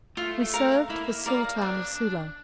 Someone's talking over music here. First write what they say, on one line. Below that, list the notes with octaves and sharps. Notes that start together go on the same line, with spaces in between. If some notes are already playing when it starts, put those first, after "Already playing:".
We served the Sultan of Sula.
A3 F4
A#4 F5 A#5
A#3 E4
A#3 A#4 D5 F5
C4
D4 D5